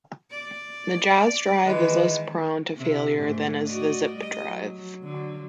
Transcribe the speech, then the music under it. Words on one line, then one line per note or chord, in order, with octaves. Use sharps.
The Jaz drive is less prone to failure than is the Zip drive.
D5
D#3 E3 G#3 B4
C3 E4
G#2 A3 D4
F#4 D5 D#5
G3 D#5
F#3
D3 F#3